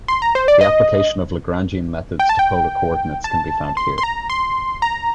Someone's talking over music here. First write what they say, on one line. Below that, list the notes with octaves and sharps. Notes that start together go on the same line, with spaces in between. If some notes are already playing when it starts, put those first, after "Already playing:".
The application of Lagrangian methods to polar coordinates can be found here.
C6
A#5
C5
D5
D#5
G5
A5
G5
A5
C6
C6
A#5
C6
A#5